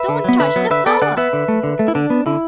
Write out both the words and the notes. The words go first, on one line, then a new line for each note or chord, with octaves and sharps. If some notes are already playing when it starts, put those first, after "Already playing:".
"Don't touch the flower!" said the old woman.
Already playing: B4 E5
D3
F#3 B3
D3 B4 E5
F#3 B3
D3 B4 E5
B3 A4 D5
D3 D5 F#5
B3 B4 E5
D3
A3
D3
A3
E4
D3 D4
B3
D3 E4